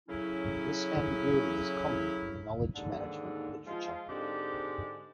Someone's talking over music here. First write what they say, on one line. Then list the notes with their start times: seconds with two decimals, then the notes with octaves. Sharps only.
This ambiguity is common in the knowledge management literature.
0.09 A2 C#3 F#3 C#4 E4
2.75 D#2 G#2 D3
3.66 F3 G#3 F4
4.08 G#2 D3 G#3 C4 G4 D5